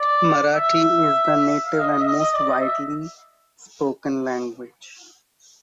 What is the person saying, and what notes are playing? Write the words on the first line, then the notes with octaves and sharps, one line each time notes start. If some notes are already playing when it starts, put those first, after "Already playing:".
Marathi is the native and most widely spoken language.
Already playing: D5
E5
F5
D#5
D#5
E5
D#5
D#5
D5
D#5
E5